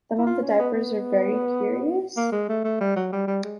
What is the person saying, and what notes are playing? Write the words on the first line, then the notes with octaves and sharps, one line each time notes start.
Some of the diapers are very curious.
E4
F4
C#4
B3
B3
A#3
G#3
A3
A3
G3
F#3
G3
G3
G#3